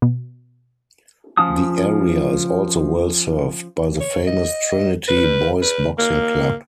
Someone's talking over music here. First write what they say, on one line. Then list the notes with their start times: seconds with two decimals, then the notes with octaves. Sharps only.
The area is also well served by the famous Trinity Boys Boxing Club.
0.02 B2
1.37 F3 C#4 F4 A5 D#6
4.00 C#5
4.27 D#5
5.08 B4
5.62 B4
5.98 A#3